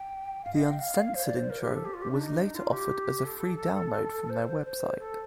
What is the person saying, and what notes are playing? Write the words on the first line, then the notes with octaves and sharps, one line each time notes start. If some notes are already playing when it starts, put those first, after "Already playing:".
The uncensored intro was later offered as a free download from their website.
Already playing: G5
F5
D#5
F5
G5
F5
C5
D5
C5
A#4
G4
A4
G4
F4
G4
D4
D#4
F4
G4
A4
C5
C5
A4